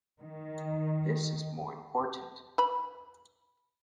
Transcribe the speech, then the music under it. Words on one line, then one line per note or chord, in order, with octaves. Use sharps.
This is more important.
D#3
B4 B5